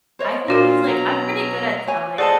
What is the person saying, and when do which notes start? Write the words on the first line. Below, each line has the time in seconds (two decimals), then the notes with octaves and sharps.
I think it's, like I'm pretty good at telling,
0.19 C5 C#5 D#5
0.48 A#2 D4 F4 F#4 A#4
0.87 B2 F#3 A#5
1.87 C#5 G#5
2.18 G#4 A4 C5 D5 D#5 F#5 A5